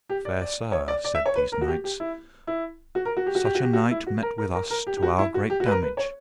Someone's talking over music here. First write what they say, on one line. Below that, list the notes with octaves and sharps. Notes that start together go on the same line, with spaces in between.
Fair sir, said these knights, such a knight met with us to our great damage.
G4
D5
D5
C#5
D5
D5
E5
C#5
B4
A#4
F#4
G4
G4
E4
E4
F#4
A#4
F#4
G4
F#4
G4
F#4
G4
F#4
E4
F#4
A#4
A#4
A#4
A#4
G4
G4
F#4
E4
F#4
G4
F#4
B4
A#4
B4
C#5